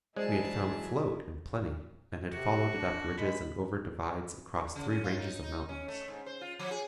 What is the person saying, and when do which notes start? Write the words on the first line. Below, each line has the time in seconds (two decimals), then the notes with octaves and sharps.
We had found "float" in plenty, and had followed it up ridges and over divides across three ranges of mountains.
0.16 E3 F#3 G#3 E4 G#4 C5 D5 A5
2.33 C3 F#4
2.76 D4
3.18 G#3 B5
4.75 C#3
4.90 C#4
5.04 F4
5.18 D#4
5.43 D#4
5.69 C#4
5.88 A3
6.08 G#2
6.26 C5
6.41 F4
6.59 F3
6.71 G#4